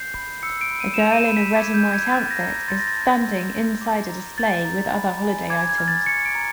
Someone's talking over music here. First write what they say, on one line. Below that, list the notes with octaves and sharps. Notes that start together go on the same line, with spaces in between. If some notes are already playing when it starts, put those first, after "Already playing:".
A girl in a red and white outfit is standing inside a display with other holiday items.
Already playing: G6 C7
B5
E6 C#7
D7
B5
D#7
E7
G6 F7
D#7
E7
B5
B6
D6 G#6
G6
A#5
G#6
F6 A6
A#6
A#5
A#6
C6 A6
A#6
A6
A5
A6
E6
G6
D6
A#5
G6 A6
A#5
B5
G#5
D6 G#6
G#6
F6
A6
C#6 C#7
D7
A#5